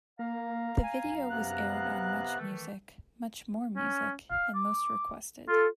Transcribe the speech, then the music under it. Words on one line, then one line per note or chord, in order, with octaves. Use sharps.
The video was aired on MuchMusic, MuchMoreMusic and Most Requested.
A#3 F5 A#5
G#5
F#2
C3 B3 F#6
D#3 E3 A3
C#4
F5
D6
F4 A4